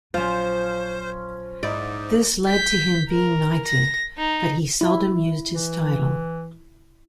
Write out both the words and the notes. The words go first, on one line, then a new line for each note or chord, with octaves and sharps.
This led to him being knighted, but he seldom used his title.
A#1 F3 F#3 C#4 F4 C5
G#2 D#4 E4 D5
G6 B6
A#4
A#6
D#4
E4
E3